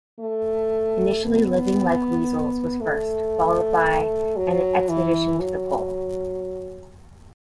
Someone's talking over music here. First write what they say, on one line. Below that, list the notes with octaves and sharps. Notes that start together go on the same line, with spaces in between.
Initially "Living Like Weasels" was first, followed by "An Expedition to the Pole".
A3
B3
A3
F#3
E3
F#3